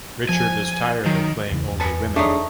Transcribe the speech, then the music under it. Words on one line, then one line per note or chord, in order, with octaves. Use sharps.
Richard is tired of playing only women.
F3 G#5
D#3 F#3
E2 C#3 E3
E2
B4 G#5 A5
A3 D4 D#4 G#4 C#5